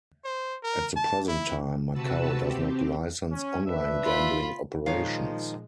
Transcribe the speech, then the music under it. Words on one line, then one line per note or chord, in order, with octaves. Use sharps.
At the present time, Macau does not license online gambling operations.
C5
A#4
A5
E4
C3 F#4 B4 A5 E6
C4 G4
C#4
D4 B4 E5
F4 B5
A#2 D#3 F3 G#3 C#5 F5